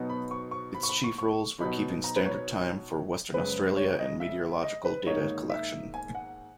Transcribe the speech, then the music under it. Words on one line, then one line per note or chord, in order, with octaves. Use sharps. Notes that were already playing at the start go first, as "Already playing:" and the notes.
Its chief roles were keeping Standard Time for Western Australia and meteorological data collection.
Already playing: B2 F#3 B3 D#4
B5
C#6
C#6
B5
C#6
B5
C#6
C#6
B2 F#3 B3 D#4 B5
A#5
B4
C#5
F#2 C#3 G#3 B4
C#5
D#5
E5
D#5
B4
G#2 D#3 A#3 D#4 C#5
E5
G#5
F#5